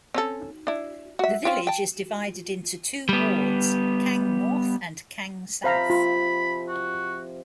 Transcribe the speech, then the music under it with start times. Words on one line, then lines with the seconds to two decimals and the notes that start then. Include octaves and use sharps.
The village is divided into two wards, Kang North and Kang South.
0.14 C4 C#4 A4
0.67 D4 E4
1.19 F#4 E5
1.45 C4 C#4 F4
1.67 G5 A5
3.09 G3 B3
5.64 C3 F3 C5 F5 A#5 B5
5.90 F4
6.68 F#4